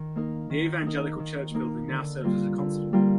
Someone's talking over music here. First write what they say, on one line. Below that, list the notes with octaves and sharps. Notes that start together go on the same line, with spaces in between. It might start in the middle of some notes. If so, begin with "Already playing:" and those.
The evangelical church building now serves as a concert hall.
Already playing: D#3
A#3 D#4 A#4
D#3
A#3 D#4 A#4
D#3
A#3 D#4 A#4
D3
G3 A#3 F4 A#4
D3
G3 A#3 F4 A#4